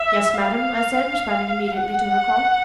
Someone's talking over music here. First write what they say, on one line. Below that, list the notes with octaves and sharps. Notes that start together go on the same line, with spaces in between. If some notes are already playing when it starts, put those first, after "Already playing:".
"Yes, madam," I said, responding immediately to her call.
Already playing: E5
F5
F#5